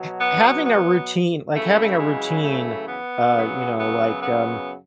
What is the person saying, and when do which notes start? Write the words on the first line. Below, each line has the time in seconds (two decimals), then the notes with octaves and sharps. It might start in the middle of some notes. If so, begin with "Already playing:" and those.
h having a routine like, having a routine, uh, you know, like, um,
Already playing: B2 F#3
0.19 B3
0.64 B3
1.53 F#2 C#3 E3 A3
1.98 G#3
2.43 A3
2.88 B3
3.33 F#2 C#3 F#3
3.78 B3
4.22 B3